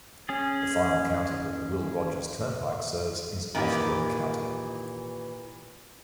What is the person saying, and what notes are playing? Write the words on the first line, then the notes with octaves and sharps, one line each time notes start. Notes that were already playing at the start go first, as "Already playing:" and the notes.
The final county that the Will Rogers Turnpike serves is Ottawa County.
C#4 G#4
A#2 D#3 E3 G4